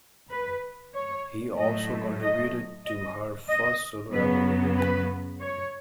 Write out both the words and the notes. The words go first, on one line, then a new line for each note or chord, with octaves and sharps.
He also contributed to her first solo album.
B4
C#5
A2 F#3 A3 D#5
D#5
D#5
D#5
F#2 C#3 F#3 B3 B4
B4
C#5